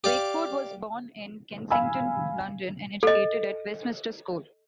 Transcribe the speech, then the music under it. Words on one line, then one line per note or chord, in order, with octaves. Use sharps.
Wakeford was born in Kensington, London, and educated at Westminster School.
G4 D5 F5
F5 G#5 B5 E6
A4 D#5